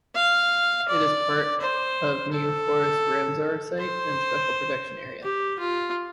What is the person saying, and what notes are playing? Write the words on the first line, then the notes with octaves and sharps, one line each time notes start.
It is part of New Forest Ramsar site and Special Protection Area.
F5
D5
C5
A4
C5
G4
F4